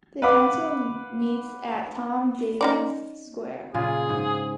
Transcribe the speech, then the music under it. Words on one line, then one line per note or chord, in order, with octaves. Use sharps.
The council meets at Tom Davies Square.
B4 F5 F#5 B5 D6
C#4 D#4 D5
A#2 C#3 F4 G#4
G#2